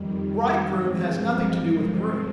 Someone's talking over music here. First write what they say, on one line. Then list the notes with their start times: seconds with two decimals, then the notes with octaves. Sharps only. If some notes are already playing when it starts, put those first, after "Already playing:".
Bridegroom has nothing to do with groom.
Already playing: F2 D#3 G3
0.76 G2 F3 G#3 C4